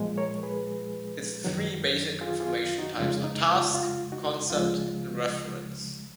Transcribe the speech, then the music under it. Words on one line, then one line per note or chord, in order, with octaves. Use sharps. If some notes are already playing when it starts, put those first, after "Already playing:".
Its three basic information types are Task, Concept, and Reference.
Already playing: A#2 F3 G#3
A#4 C#5
G#4 B4
F#2 D#3 F#3
F4 G#4
F4 G#4
F4
D#4 F#4
F2 C#3 G#3 F4
D#4
F4
F4
D#4 F#4
C#2 C#3 F3 G#3 F4